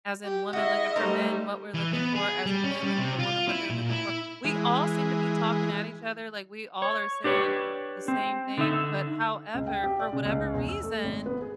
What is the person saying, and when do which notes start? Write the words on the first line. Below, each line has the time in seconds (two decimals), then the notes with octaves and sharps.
as in women looking for men, what we're looking for, as in men looking for women, what they're looking for. We all seem to be talking at each other, like, we all are saying the same thing, but, however, for whatever reason,
0.24 G4
0.53 G#3 E4 F#4 D#5 E5
0.96 G3 A3 D#4 A#4 C5 C#5
1.74 E3
1.93 B3
2.15 G#4
2.46 G3
2.64 C#4
2.83 G3
2.98 C3
3.19 F4
3.48 E4
3.70 A#2
3.89 E4
4.44 E3 G#3
6.82 C#5
7.24 D4 G4 B4 C#5
8.08 C4
8.58 D3 D#4 E5
9.54 C#2
9.67 G5
9.83 G4
10.00 D5
10.13 C#3
10.25 C#2
10.54 E2
10.69 E6
10.83 A3
11.04 G#1
11.26 B3
11.41 G#4